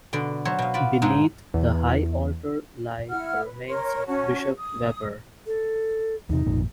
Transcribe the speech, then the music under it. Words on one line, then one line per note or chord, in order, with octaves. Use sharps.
Beneath the high altar lie the remains of Bishop Webber.
B2 D3 D5
F#3 C5 C#5 E5
B2 F5
F4 F#4 D5 B5
G#2 G#3 D4 D#4 E5
E2
E4 F#5 F6
B4
A#4 C#5 C6
C#4 F#4 C#5 A5
D#6
A4
E2 C3 D#4
G#1 F2 A#2